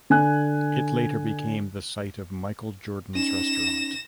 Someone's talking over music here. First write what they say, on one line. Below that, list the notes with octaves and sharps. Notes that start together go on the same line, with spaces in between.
It later became the site of Michael Jordan's Restaurant.
D3 G#5 F#6
C#4 D#4 A#6 E7